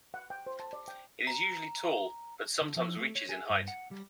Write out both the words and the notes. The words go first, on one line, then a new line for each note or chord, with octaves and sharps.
It is usually tall, but sometimes reaches in height.
F#5
G5
C5
A5
D5
G5
A#5
D3
F3
A3
C#5
G#4
G2
F#5
G3